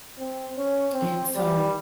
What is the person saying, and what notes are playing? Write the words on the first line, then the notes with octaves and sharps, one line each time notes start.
And so,
C4
C#4
C4
G3